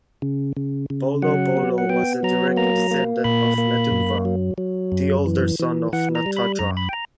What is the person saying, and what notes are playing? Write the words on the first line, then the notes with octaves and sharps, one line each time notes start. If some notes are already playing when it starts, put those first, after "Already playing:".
Bolobolo was a direct descendant of Naduva, the older son of Natadra.
C#3
C#3
C#3
F#3 F#5
B3
F#5
B3 G5
F#3 A#5
A#3 A#5
A#3
A#2 B5
A#3
F#2
F#3
F#3
F#2
E3
E3
E3 F#5
A#5
G3
B5
F#2 A#5
B5
G5
A#5